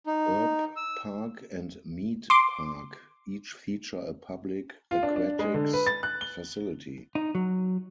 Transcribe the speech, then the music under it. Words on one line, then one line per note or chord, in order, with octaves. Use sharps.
Erb Park and Mead Park each feature a public aquatics facility.
D#4
E6
C6 D6
F4
D4
D4
G#3
D3
B4
A6
F#6
G7
D#4
F#3